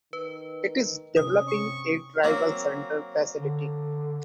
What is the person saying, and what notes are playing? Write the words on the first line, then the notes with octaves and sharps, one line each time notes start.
It is developing a tribal center facility.
D#3 B4
C3 C#4 D#6
C#6
F#3 A#3 C4
D3